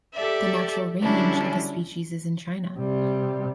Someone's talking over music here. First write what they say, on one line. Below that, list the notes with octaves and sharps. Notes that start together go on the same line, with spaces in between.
The natural range of the species is in China.
G4 A4 D5 E5
D3 F#3 G3 C#4 D4 E4
C3 G3